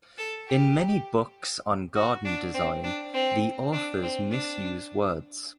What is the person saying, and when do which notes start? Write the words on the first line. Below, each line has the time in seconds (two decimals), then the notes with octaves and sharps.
In many books on garden design the authors misuse words.
0.18 A4
0.48 G4
1.95 F#4
2.25 D4
2.54 C4
2.84 D4
3.14 C4
3.73 D4
4.03 C4
4.31 D4